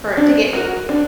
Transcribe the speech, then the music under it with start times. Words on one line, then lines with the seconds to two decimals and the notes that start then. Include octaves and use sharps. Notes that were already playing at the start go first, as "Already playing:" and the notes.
for to get
0.17 D4
0.53 F#4 A#4
0.89 D4